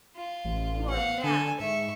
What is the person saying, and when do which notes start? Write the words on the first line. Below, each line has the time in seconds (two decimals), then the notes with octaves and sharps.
'You are mad!
0.16 F4
0.45 A1
0.90 F5 F#5
1.24 D3 A4 G#5
1.60 G#2 E5 C#6